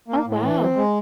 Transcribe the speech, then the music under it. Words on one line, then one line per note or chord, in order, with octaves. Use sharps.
Oh, wow.
A#3
A2
E3
C4
G#3